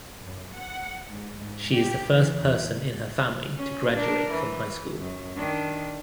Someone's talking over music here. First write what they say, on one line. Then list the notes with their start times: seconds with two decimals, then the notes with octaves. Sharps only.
She is the first person in her family to graduate from high school.
0.21 F#2
0.56 F#5
1.09 G#2
1.40 G#2
1.73 G4
2.11 E3
2.40 E2
3.56 C#4
3.96 D4 A#4
4.31 E3
4.99 F#2
5.37 D#3 D4